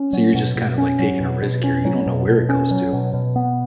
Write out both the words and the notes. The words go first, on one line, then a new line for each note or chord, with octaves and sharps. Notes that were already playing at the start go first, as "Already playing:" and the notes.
So you're just kind of like taking a risk here, you don't know where it goes to.
Already playing: C#4
F#3
B2
B2
C#4
F#3
B2
B2
C#4
F#3
B2
B2
C#4
F#3
B2
B2
B3